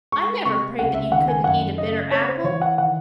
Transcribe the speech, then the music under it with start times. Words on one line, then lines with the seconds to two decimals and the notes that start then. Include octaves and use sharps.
I never prayed that you couldn't eat a bitter apple.
0.12 G#3 C#6
0.45 C3 C#6
0.78 C#2 F#5
0.94 E5
1.11 D#3 F#5
1.28 G#5
1.44 F#2 F#5
1.78 C#3 D#5
2.11 C4 C#5
2.28 C5
2.44 E3 C#5
2.62 F#5
2.78 D#3 F#5